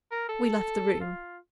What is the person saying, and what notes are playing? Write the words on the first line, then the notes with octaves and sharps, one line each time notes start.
We left the room.
A#4
A4
F4